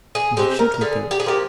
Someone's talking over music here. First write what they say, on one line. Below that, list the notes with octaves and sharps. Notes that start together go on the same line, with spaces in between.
"Why should we go?"
G#4
G#3 C4 G4
A#4
A#4
D3 G#4
G4
G#4
F3 A#3 G4